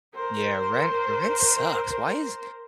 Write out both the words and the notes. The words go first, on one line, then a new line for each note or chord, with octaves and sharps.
Yeah. Rent your rent sucks. Why is
A#4 C5